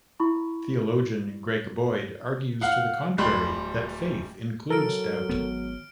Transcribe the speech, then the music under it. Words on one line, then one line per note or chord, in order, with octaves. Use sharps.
Theologian Greg Boyd argues to the contrary, that faith includes doubt.
E4 B5 C#6
F5 F#5
D1 G3 B5 C6
F#3 A4 A#4 F6 D7
G#1 F2 B3